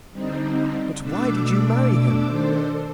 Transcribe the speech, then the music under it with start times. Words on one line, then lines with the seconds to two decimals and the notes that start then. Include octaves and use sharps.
"But why did you marry him?"
0.11 D3 G3 C4 D#4
0.99 B2 A3 D4 D6 E6
2.23 D#3 D4 A4 C5